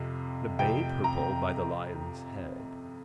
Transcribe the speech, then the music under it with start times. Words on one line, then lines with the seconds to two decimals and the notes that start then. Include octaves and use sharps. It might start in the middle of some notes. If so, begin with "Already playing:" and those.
The bay purple by the Lion's head.
Already playing: F2 C3
0.59 F2 C3 G5
1.04 A#5